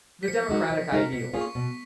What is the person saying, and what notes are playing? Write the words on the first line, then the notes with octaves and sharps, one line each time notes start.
The Democratic Ideal.
B6
F3 C#7
G#3 D#4 F#4 A#4
F3
G#3 D#4 F#4 A#4
B2 B6
A#3 C#4 F4 G#4
C#6
B2